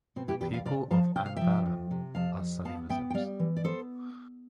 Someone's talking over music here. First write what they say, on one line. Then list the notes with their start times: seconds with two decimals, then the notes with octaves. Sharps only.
The people of Anbaran are Sunni Muslims.
0.16 B2 C4
0.28 E4 G4
0.40 E2 G4 B4
0.54 D5 F5
0.65 C3 D5 F5
0.91 F3 F5 A5
1.15 C3 G5
1.26 F5
1.36 F3 E5 G5
1.66 F2
1.91 C3
2.15 F2 F5 A5
2.39 F2
2.65 B3 F5 A5
2.89 B3 E5 G5
3.10 G5
3.14 G3 D5 F5
3.39 E3
3.56 D5
3.64 B3 A4 C5